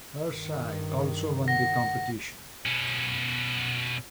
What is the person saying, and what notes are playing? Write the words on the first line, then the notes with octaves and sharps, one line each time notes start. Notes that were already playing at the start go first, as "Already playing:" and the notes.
Her side also won the competition.
G2 D#3
F#5 A#6
B2 C#4